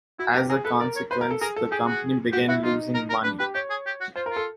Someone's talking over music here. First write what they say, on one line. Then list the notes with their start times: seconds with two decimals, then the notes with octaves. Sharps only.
As a consequence, the company began losing money.
0.19 E4 F#4
0.34 G4 A#4
0.49 G#4 A#4
0.65 A4 B4
0.80 A#4 D5
0.96 C#5
1.11 B4 C5
1.21 A#4
1.31 A4
1.41 G#4 A#4
1.56 A4
1.71 G4 G#4
1.86 F#4
2.32 F#4 G4
2.48 E4 F#4
2.63 D#4 F4
2.94 A#4
3.09 A#4
3.24 D4 B4
3.39 G4 B4
3.54 G4 C#5
3.70 G#4
3.86 G4
4.01 F#4
4.16 F4 C5
4.26 A#4
4.31 F4
4.36 A4